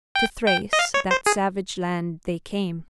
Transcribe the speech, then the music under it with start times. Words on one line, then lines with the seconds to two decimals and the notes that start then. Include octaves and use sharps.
To Thrace, that savage land, they came.
0.15 G5
0.47 G5
0.73 D#5
0.79 F5
0.94 C#5
1.11 C5
1.26 G#4